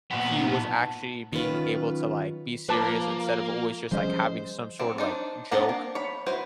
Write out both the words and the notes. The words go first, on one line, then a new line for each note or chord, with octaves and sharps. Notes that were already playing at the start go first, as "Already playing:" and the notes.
he was actually being able to, like, be serious instead of always just, like, having some sort of, like, joke.
A#2 B3
D#4
A5
D#3 F#3 C#4 F4 B4
F3 A#3 B4 A5 D6 F#7
F3 G3 C#4 G#4 C5 D#5
F#3 C4
D4 D#4 C5
B3 C4 D4 F#5 A#5
A#3
C#5 B5
E4 F#4 B4 C5